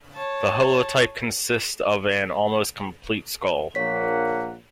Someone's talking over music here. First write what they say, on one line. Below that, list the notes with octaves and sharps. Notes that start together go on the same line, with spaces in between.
The holotype consists of an almost complete skull.
C#5 A5
A#1 A#3 C#5 F#5 B6